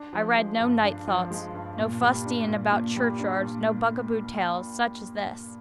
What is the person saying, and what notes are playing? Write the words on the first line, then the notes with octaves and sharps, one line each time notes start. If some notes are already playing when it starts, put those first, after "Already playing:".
I read no "Night Thoughts"--no fustian about churchyards--no bugaboo tales--such as this.
Already playing: D4
F3
G#3
G2
D4
F3
G#3
G2
A#2
G3
D4
A#2
A#2
G3
D4
A#2